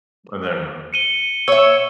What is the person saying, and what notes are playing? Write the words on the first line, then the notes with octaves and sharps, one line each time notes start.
And then
C#7 D#7 G7
C#5 E5 E6